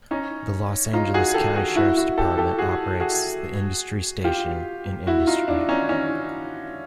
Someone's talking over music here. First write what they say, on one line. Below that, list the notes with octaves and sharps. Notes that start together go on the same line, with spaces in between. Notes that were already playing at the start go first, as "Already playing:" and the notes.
The Los Angeles County Sheriff's Department operates the Industry Station in Industry.
C#4 D#4
D#4 F4
F#4 G#4
G4 A4
F#4 G#4
E4 F#4
E4 F#4
G4 A4
G4 A4
F#4 G#4
F#4 G#4
F4 G4
E4 F#4
D#4 F4
D4 E4
C#4 D#4
C#4 D#4